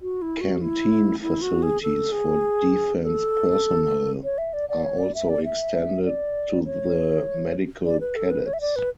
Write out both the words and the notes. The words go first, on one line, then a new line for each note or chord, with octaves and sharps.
Canteen facilities for defence personnel are also extended to the Medical Cadets.
F#4
E4
F#4
E4
E4
F#4
G#4
A4
G#4
A4
C#5
E5
D5
D5
C#5
D5
E5
D5
E5
D5
C#5
D5
B4
A4
B4
C#5
E5
D5
B4